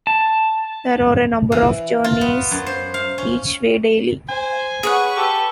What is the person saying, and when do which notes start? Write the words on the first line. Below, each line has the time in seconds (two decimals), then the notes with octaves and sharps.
There are a number of journeys each way daily.
0.07 A5
1.52 E3
2.04 F4
2.21 B3
2.51 F#2
2.66 C5
2.94 F5
3.18 C#4
4.29 C5 G#5
4.83 G#4 B4 C#5 F#5 C#6
5.17 G4 A4